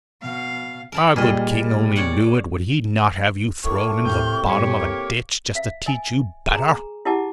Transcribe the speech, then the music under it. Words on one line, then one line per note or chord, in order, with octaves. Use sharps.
If our good king only knew it, would he not have you thrown into the bottom of a ditch, just to teach you better?
B2 F5
A#4 A5 B5
A#2 G3 G#4 D#5 F6
C#5 D5 F#5
A2 A#3 C#6
A2 C3 F6 G6
G2 G4 C#5
A#3 F5
E5 F5
D#5 G#5
G#4 G#5 A#5
E4 G4 D#5 F#5 A5 D6